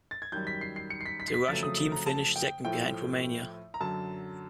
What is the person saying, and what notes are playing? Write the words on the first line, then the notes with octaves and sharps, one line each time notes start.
The Russian team finished second behind Romania.
A6
G#6
F#2 D#3 G3 G6
B6
C7
C7
C#7
C7
B6
B6
C7
B6
F2 C#3 F#3 A3 A6
D#6
D#6
A#5
A5
G5
A2 F3 A3 G5
A#5
F#2 D3 F#3 A5